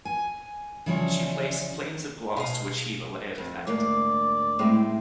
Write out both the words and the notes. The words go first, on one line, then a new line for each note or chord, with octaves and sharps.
She placed planes of glass to achieve a layered effect.
G#5
C#3 E3 F3 G3 C#5
B2 G#4 F5
F2
D2 G#2 A#3 D5
A2 G#3 C4